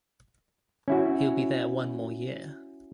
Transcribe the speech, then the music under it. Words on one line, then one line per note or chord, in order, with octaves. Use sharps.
He'll be there one more year.
C#4 E4 F#4